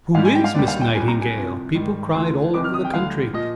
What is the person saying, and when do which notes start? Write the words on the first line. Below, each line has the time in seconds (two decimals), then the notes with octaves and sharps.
"Who is Miss Nightingale?" people cried all over the country.
0.15 G#2 F5
0.18 G3
0.25 G#5
0.35 G5
0.44 F5
0.54 D#2 D#3 G3 D5
0.68 F5
0.81 G5
0.95 C2 A#2 G3 G#5
1.08 A#5
1.21 G#5
1.35 C2 C3 F3
1.74 G#2 D#3 G3
2.14 D2 D3 F3 C6
2.54 C2 C3 D#3 D6
2.64 F6
2.74 D#6
2.85 G5
2.94 D2 D3 G3 F5
3.34 A#2 F3 D#5